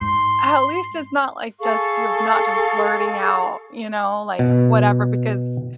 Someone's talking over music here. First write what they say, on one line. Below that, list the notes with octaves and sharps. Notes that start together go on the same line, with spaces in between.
at least it's not like just you're not just blurting out, you know, like, whatever, because
G#2 C6
G#4 A4 F5 C#6
B2